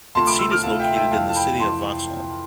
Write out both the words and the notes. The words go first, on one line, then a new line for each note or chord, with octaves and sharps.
Its seat is located in the city of Vaxholm.
D2 C3 F3 A5 C6
B5 D6
C6 E6
D6 F6
D2 C3 F3 F5 A5
E5 G5
E5 G5
F2 C3 E3 F5 A5
A5
G5 B5
F2 C3 E3 A5 C6